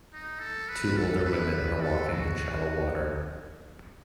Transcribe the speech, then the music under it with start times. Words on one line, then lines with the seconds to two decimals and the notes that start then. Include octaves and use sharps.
Two older women are walking in shallow water.
0.13 D#4
0.40 A4
0.69 B4
0.97 A4
1.25 B4
1.81 A4
2.09 F#4